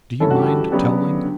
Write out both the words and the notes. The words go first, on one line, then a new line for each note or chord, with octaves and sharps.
Do you mind telling?
G2 E3 A3 C#4 A4
F#4
G4
A4
C#3 F#3 B3 D4 G4
D3